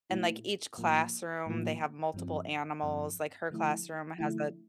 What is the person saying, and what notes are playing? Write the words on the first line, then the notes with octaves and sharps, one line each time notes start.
and like each classroom, they have multiple animals, like her classroom has a
A#2 A3 E4
A2 F3 A#3 F4
A2 F3 A#3 F4
G2 F3 C4
G2 F3 C4
D3 F3 A3 E4
D3 F3 A3 E4